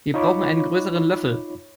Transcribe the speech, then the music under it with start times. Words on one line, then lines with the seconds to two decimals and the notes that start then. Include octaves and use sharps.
Wir brauchen einen größeren Löffel.
0.14 D#4 F4 C#5 B5 C#6 D6